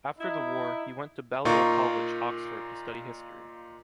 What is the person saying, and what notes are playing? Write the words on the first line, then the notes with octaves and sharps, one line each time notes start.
After the war, he went to Balliol College, Oxford to study history.
D#4 E4
A#2 D#4 F4 A#4 C#6